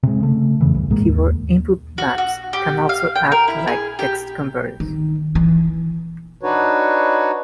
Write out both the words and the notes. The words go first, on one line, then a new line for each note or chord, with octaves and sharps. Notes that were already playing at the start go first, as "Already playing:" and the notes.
Keyboard input maps can also act like text converters.
C3 G#3
C#3 A3
F2 C#3 E3
C2
G#2 G#3 A#3
D#2
F#4
F#4
G4
F5
G5
A#4
E4
G#4
G4
D#3
E3
D4 D#4 F#4 B4 C#5